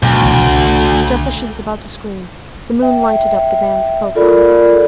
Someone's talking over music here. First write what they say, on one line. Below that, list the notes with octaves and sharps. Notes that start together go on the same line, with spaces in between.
Just as she was about to scream, the moon lighted up the man's profile.
D2 B2 F#3
C2 B2 E3
E5 G5
F4 A4 A#4 D5 B5